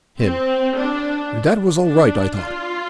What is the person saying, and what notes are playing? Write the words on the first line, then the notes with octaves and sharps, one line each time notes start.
HIM: That was all right, I thought.
C4
D4
D4
F4